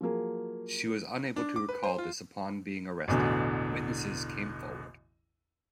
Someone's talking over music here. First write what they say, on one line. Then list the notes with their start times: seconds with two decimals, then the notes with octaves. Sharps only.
She was unable to recall this upon being arrested, but witnesses came forward.
0.01 F3 F#3 A#3 G#4
1.36 D4
1.56 D6
1.69 B4
1.83 C5
1.98 F4
3.08 A1 E2 B2 D3